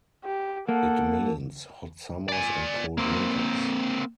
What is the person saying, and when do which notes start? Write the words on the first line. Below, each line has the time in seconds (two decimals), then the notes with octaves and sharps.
It means hot summers and cold winters.
0.24 G4
0.69 A#3 A4 F#5
2.29 D5 G#5
2.98 A#3 C4